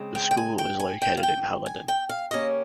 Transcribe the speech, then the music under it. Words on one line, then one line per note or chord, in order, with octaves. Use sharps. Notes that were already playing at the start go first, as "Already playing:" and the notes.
The school is located in Haledon.
Already playing: C#3 G#3 C4
G5
G5
G#5
G5
G#5
G5
F5
G5
G#5
G5
F5
C#3 G3 A#3 C#4 D#5